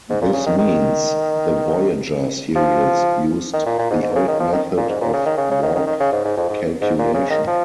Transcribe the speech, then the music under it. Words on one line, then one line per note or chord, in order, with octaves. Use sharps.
This means the "Voyager" series used the old method of Warp calculation.
G#2
A#2
C#3
D#3
D#3
F3
D#3
A#2
A#2
G#2
G#2
C#3
D#3
F3
D#3
A#2
G#2
A#2
C#3
D#3
C#3
C#3
D#3
D#3
D#3
C#3
G#2
G#2
F2
G#2
G#2
A#2
C#3
D#3
F3